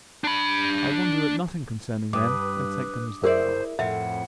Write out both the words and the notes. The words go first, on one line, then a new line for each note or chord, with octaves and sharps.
I wonder at nothing concerning them, and take them as they are.
D4 B5
G2 B4 D6 D#6
E4 G#4 A#4 C5 D5
F2 A2 E5 F#5